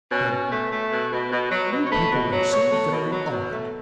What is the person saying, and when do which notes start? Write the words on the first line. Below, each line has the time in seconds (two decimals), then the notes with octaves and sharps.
HIM: You people are so very odd!
0.11 B2 C#4
0.32 B2
0.52 A3
0.72 A3
0.92 B2
1.12 B2
1.32 B2
1.51 F#3
1.71 B2
1.87 C#5
1.92 A3 B4
2.12 B2
2.32 F#3
2.52 B2 C#5
2.72 A3
2.92 B2
3.12 F#3
3.32 B2
3.52 A3